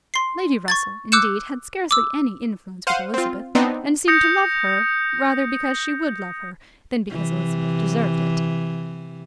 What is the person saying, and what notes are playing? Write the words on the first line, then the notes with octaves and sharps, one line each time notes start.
Lady Russell, indeed, had scarcely any influence with Elizabeth, and seemed to love her, rather because she would love her, than because Elizabeth deserved it.
C6 C7
C#6 G#6 A6
D6 E6 F#6 G6 C#7 E7
D6 E6
C5 F5 F#5 D#7
C4 F4
B3 C4 D4 D#4
D#6 G6 A#6 C#7
C3 E3